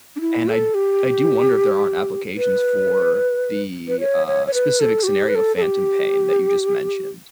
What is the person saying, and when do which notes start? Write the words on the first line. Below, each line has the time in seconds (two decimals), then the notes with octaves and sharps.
And I I do wonder if there aren't applications for the, uh, specific scenario, phantom pain, that you just mentioned.
0.16 D4
0.21 E4
0.48 A4
0.75 G4
2.37 B4
3.88 B4
4.00 C#5
4.27 C#5
4.47 C#5
4.54 B4
4.80 A4
5.03 F#4
5.08 G4
5.28 B4
5.35 A4
5.57 A4
5.62 G4